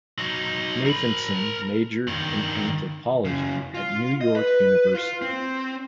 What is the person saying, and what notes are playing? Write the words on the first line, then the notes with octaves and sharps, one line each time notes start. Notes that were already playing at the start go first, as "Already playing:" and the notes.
Nathanson majored in anthropology at New York University.
F#3 D#4
A#4 B5
G2 D#3
F#2 C#3
F4
D#5
B4
F4
C4